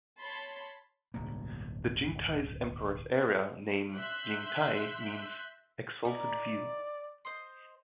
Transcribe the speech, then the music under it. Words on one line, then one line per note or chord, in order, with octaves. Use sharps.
The Jingtai Emperor's era name, "Jingtai", means "Exalted View".
C#5 A5 B5 C6
D1 B1 G2 A#3
E5 C6 F#6 G6
D#4 E4 A#4 D5
C5 D#5 C6